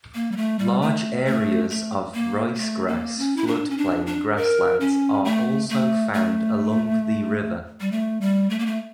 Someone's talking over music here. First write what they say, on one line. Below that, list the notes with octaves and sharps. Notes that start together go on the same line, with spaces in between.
Large areas of rice-grass floodplain grasslands are also found along the river.
A#3
G3
A3
G3
A3
A3
A3
A#3
A#3
A3
A#3
C#4
E4
D4
C#4
D4
D4
A#4
C#4
A3
A3
A3
G3
A3
G3
A3
A#3
A3